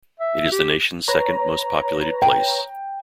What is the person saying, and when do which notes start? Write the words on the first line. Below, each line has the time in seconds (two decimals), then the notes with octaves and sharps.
It is the nation's second most populated place.
0.20 E5
0.51 G4
1.08 B4 C#5 A#5
2.22 G5